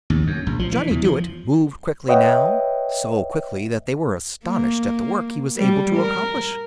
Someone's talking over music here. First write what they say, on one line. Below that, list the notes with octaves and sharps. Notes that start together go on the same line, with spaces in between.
Johnny Dooit moved quickly now--so quickly that they were astonished at the work he was able to accomplish.
D#2
F#2
A#1
F3
E3
E2
F3
B4 C#5 D#5 E5 F#5 G5
A#3
G3
A#4